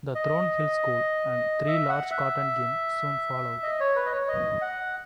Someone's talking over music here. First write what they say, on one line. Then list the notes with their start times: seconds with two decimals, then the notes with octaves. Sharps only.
The Thorn Hill School and three large cotton gins soon followed.
0.15 D#5
1.67 E5
1.89 F#5
2.11 E5
3.63 D#5
3.80 C#5
3.96 B4
4.06 D#5
4.12 C#5
4.28 D#5
4.61 F#5